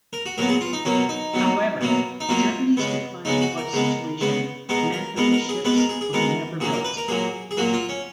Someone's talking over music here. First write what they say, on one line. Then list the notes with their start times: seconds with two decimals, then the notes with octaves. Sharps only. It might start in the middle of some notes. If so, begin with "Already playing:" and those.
However, Germany's declining war situation meant that the ships were never built.
0.13 A#4
0.26 F#4
0.38 A#2 F#3 B3 A#4
0.49 G#4
0.61 F4
0.73 D#4
0.85 B2 F#3 A#3 C#4
1.09 D#4
1.34 B2 F#3 A#3
1.81 B2 F#3 A#3
2.20 D#4
2.29 B2 F#3 A#3 F4
2.77 C#3 G#3 B3
3.25 C#3 G#3 B3 D#4
3.41 F#4
3.58 A#4
3.73 C#3 G#3 B3
4.21 C#3 G#3 B3
4.69 B2 G#3 B3 A#4
4.93 A#4
5.17 B2 G#3 B3 A#4
5.33 A#4
5.49 G#4
5.65 B2 G#3 B3 B4
5.77 A#4
5.89 G#4
6.01 G#4
6.13 B2 G#3 B3 A#4
6.60 A#2 F#3 A#3 G#4
6.72 A#4
6.84 B4
6.97 A#4
7.08 A#2 F#3 A#3 G#4
7.51 G#4
7.57 A#2 F#3 A#3 F#4
7.73 F4
7.89 C#4